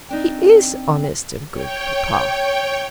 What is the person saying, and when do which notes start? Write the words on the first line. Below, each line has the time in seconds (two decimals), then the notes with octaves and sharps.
"He is honest and good, papa."
0.10 C4 D4 D#4
1.51 C#5 G5